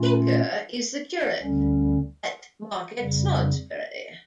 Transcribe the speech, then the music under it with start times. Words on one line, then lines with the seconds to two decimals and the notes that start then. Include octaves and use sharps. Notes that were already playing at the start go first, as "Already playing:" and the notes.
Pinker is the curate at Market Snodsbury.
Already playing: A#2 A3 C#4 F4
1.42 D2 D3 G3 C#4
2.99 F2 C#3 G3